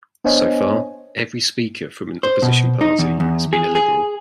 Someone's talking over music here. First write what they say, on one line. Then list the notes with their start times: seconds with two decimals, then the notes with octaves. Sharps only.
So far, every Speaker from an opposition party has been a Liberal.
0.24 B3 D4 C5 C#5 D#5 G#5
2.23 C5
2.42 B2
2.81 D#4
2.99 E2
3.20 E2
3.53 G#4
3.75 G#4